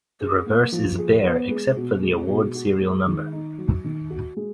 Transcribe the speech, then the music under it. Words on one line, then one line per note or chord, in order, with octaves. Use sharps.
The reverse is bare except for the award serial number.
G#4
A#3
F3
G#4
B3
G#3
B2
G#3
B2
F#4
G#3
D#3
D#4
F#3
D#3
F#4
G#3